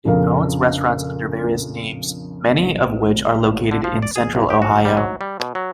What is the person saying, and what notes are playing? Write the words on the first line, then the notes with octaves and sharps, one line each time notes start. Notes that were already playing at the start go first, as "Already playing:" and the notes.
It owns restaurants under various names, many of which are located in Central Ohio.
A#1 F2 C#3 A#4 F5
D3
F3
D5
G#4
C2
G4
F#4
G3
F#3
G3
B2
F#3